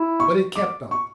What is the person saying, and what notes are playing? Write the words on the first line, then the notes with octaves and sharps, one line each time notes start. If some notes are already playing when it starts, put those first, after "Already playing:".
But it kept on.
Already playing: E4
C#6
D6
C#6